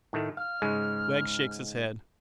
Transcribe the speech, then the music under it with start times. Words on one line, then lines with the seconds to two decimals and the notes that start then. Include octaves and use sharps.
Wegg shakes his head.
0.13 A2 D#3 A3
0.37 F5 F6
0.62 G#2 C#3 G#3